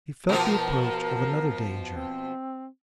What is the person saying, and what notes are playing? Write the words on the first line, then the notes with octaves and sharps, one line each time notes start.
He felt the approach of another danger.
B2 F3 A#4
C4